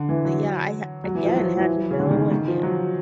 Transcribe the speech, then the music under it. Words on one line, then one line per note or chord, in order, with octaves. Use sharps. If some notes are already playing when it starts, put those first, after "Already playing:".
Yeah, I, again, had no idea.
Already playing: D3
E3
F#3
F#3
E3
F3
F#3
F3
E3
C#3
D3
D#3
D3
D#3
F3
F#3